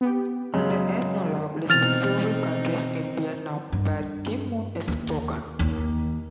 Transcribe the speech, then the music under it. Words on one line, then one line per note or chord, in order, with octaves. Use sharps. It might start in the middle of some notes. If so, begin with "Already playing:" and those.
The Ethnologue lists several counties in Vietnam where Kim Mun is spoken.
B3 G4
F#2 C#3 G#3
B2 E3 C4 D#4 F6 A6 F7
G2
D#2
D#2